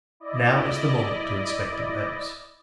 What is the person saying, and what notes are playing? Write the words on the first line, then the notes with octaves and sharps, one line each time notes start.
Now is the moment to inspect the webs.
E4 D5 D#5